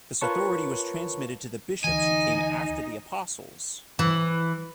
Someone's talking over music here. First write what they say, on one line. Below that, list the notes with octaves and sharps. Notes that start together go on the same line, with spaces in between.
This authority was transmitted to the bishops who came after the apostles.
F4 A#4 B4 C#5 A5 C#6
D2 E3 D#4 D#5 G#5
E3